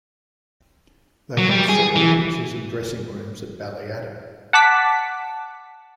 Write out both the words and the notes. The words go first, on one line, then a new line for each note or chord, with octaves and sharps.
They have several pitches and dressing rooms at Ballyadam.
F#3
G3
G#4
E3
F#5 A5 D6 B6